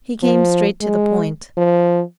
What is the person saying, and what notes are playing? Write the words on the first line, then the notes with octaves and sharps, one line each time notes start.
He came straight to the point.
F3
G#3
F3